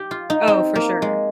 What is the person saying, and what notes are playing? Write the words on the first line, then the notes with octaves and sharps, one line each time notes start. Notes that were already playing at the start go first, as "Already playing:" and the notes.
Oh, for sure.
Already playing: G4
F4
D#4
C4
A#3
G#3